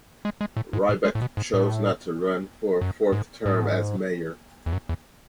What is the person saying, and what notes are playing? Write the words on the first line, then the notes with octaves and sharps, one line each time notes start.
Rybak chose not to run for a fourth term as mayor.
G#3
G#3
A2
G#2
A2
G#3
A2
B2
G#2
A2
F#2
G#2
G#2
A2
G#2
E2
F#2
E2